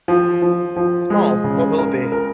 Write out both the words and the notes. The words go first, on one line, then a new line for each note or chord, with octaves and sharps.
Small, what will it be?
F3
F3
F3
G#3
C#3
A#4
A#4